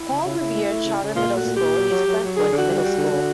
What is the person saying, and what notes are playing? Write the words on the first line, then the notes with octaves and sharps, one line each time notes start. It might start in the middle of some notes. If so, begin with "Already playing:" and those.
Paul Revere Charter Middle School is Brentwood's middle school.
Already playing: E4
C#3
C#3
C#3
A3
A3
C#3
C#3
A#2 F4
A3 F#4
A#2
G4
A#2
F#3
F#3
F#3
F#3
D3 G#4
D3
F#4
G3
G3 F#4
D3
D3